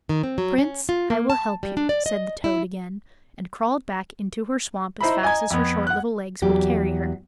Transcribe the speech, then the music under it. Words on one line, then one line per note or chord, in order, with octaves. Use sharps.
'Prince, I will help you,' said the toad again, and crawled back into her swamp as fast as her short little legs would carry her.
D#3
C4
F#3
C#4
F4
A#3
A5
G3
D4
D5
D#5
E4
D#4 E4 C5 E5 A#5 B5
D#5 G#5 A#5 G#6
F2 B3
F#5 F#6
E2 F#3 G4